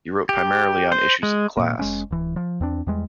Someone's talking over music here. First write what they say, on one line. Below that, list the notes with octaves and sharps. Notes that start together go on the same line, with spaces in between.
He wrote primarily on issues of class.
G4
C5
G#3
A#2 A#3
F1 G#3 C#4
D1 E3
F3
E2 C4 D4
E2 G3 G#3